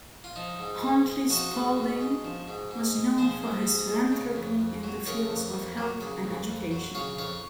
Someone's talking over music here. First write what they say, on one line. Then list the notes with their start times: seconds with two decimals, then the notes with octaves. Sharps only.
Huntley Spaulding was known for his philanthropy in the fields of health and education.
0.24 F4
0.36 F3 D#4
0.59 G#2
0.83 G#2
1.07 G#3
1.30 F3 D#4 F#4
1.54 G#2
1.77 G#2
2.01 G#3
2.24 F3
2.48 G#2
2.71 G#2
2.95 G#3
3.18 F3 G#4 C5
3.42 G#2
3.65 G#2
3.89 G#3
4.12 C#3
4.36 F2
4.59 F2
4.83 F#3
5.06 C#3 A#4 C#5
5.30 F2
5.54 F2
5.77 F#3
6.01 C#3
6.24 F2
6.48 F2
6.71 F#3
6.95 C#3 C#5 F5
7.18 F2 C#5 F5